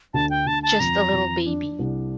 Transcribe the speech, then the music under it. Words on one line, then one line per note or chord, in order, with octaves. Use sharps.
Just a little baby.
D2 A5
G5
D2 A5
A5
F2 A#5
F2
D4
C2